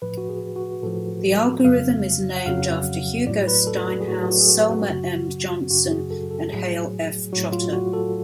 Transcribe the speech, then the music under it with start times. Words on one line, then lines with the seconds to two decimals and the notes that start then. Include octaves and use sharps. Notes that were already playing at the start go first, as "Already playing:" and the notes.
The algorithm is named after Hugo Steinhaus, Selmer M. Johnson and Hale F. Trotter.
0.02 A2 F3 B4
0.18 F#4
0.29 G#4
0.56 F#4
0.83 A2 F3 A4
1.64 F2 C#3 F#3 F5
2.37 F#5
2.46 F2 C#3 F#3 F5
3.27 A2 F#3 D5
3.47 B4
3.67 A4
3.88 F#4
4.00 G#4
4.08 A2 F#3 F#4
4.28 F#4
4.41 G#4
4.49 F#4
4.69 F#4
4.89 F#2 C#3 F#3
5.70 F#2 C#3 F#3 F#4
5.91 G#4
6.10 A4
6.31 A4
6.52 A2 F#3 G#4
7.33 A2 F#3 F#4
7.53 F4
7.73 F#4
7.93 A4